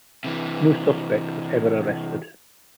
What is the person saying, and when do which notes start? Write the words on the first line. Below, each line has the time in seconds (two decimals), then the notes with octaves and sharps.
No suspect was ever arrested.
0.24 C3 E3